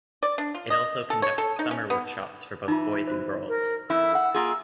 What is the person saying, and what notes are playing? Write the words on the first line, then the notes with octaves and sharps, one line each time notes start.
It also conducts summer workshops for both boys and girls.
D5
D4
F4
D#5
A4
C#5
A4
D#4
C#4
B3
E3 D#4 F4
F#4 C5
A#4
F2 E4 E6
F#5
A#3 F4 G#4